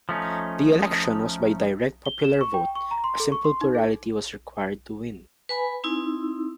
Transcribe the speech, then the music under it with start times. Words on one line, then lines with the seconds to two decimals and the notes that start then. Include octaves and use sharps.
The election was by direct popular vote; a simple plurality was required to win.
0.09 F3 A3 C#4 D#4
2.06 G7
2.24 E7
2.41 C#6
2.54 G5
2.75 C#6
2.91 A#5
3.04 C6
3.20 A4
3.32 C#6
3.44 C6
3.61 D#4
3.75 A4
5.49 B4 G#5 B5
5.84 C4 D#4 E4 E6